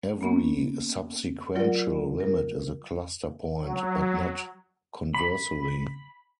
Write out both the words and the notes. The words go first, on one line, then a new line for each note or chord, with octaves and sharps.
Every subsequential limit is a cluster point, but not conversely.
A#3 B3 C#4
F#3 F4 A#4 D5 F#5
A#4
F#3
B5